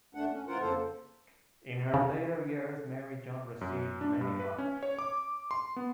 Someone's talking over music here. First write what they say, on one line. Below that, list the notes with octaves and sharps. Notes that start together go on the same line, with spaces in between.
In her later years Mary John received many honors.
D#2 A3 D4 F#5
C#4
A2 E3 F4 A#4 C5 F#5
F2 C#3 A#3 A4 C5
C#3
F#2
D4
G2
B4
C#4
C#5
D6
C6
B3